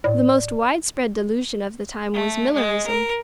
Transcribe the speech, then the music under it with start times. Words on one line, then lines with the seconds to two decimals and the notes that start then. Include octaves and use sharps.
The most widespread delusion of the time was Millerism.
0.04 A2 D5
2.14 A3
2.54 G#3
2.86 A#4